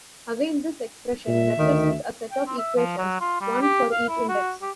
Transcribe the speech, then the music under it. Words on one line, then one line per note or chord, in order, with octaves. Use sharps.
Again this expression represents a set of equations, one for each index.
A#2 E5
D2 D#3
G5
C4
E5
F3
F#3
F4
G3
G4
F5
E4
F#4
G4